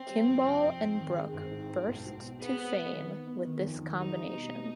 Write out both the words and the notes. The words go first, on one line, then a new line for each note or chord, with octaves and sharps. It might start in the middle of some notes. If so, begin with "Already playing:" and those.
Kimball and Brooke "burst to fame" with this combination.
Already playing: C4
G3
F2
C3
F2
G#2
D#3
G#3
G#1 C4
G#2
G#2
B1
B1
B2
G#3 B3
C4
C4
D#3
B3
B3
D#3
F2
D#3
G3 D#4
G3
B2